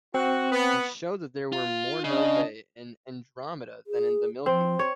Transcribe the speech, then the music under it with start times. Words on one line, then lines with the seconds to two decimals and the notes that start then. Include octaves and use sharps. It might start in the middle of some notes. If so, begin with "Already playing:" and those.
He showed that there were more novae in Andromeda than in the Milky Way.
0.14 C4 F#4
0.52 B3
1.52 F4
2.04 C#3 D4 D#5
3.87 G#4
4.46 F3 C4
4.79 C#5